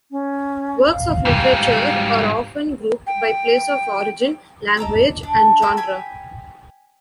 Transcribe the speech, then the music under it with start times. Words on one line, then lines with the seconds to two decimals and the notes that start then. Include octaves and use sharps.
Works of literature are often grouped by place of origin, language, and genre.
0.11 C#4
0.92 F5
1.25 G#2 G3
3.07 G5
4.77 D#5 A#5 D6 E6
5.23 D4
5.62 A3 A#4 G5 E6
5.77 G5 G#5 B5